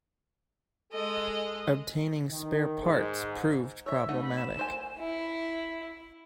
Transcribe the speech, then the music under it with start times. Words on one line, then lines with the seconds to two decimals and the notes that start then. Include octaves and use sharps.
Obtaining spare parts proved problematic.
0.92 G#3 A4 D#5
2.29 D#3
2.82 G#2
3.86 C#5 E5 E6
4.09 A3 D#4 F#5
4.21 B5
4.37 E7
4.57 A4 C5 G#5
4.99 E4